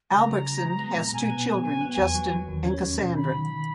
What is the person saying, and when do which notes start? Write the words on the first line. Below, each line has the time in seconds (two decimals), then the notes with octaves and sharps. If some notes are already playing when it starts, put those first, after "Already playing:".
Albrechtsen has two children, Justin and Cassandra.
0.12 C#3 A#5
0.29 F#3
0.45 F#3
0.62 G#3
0.79 B3
0.96 A#2
1.13 B2 G#5
1.30 B3
1.47 B3
1.63 F#3 G#5
1.81 B3
1.90 G#5
1.97 E2
2.15 F#3
2.31 F#3
2.48 D#2
2.65 C#4
2.82 F#3
2.99 B2
3.16 D#3 B5
3.33 D#3
3.50 D#3